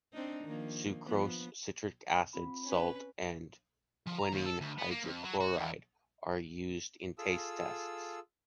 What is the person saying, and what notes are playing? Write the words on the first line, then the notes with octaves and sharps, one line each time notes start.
Sucrose, citric acid, salt and quinine hydrochloride are used in taste tests.
C4 D4 D#4
D#3 F3 A#3
F3 B3
C4 F4 B5
C#4 B4
F3
A#5
D#2
A4
D2
B3
A#3
F2
F#3
F#4
E2
F4 G#4 A4 E6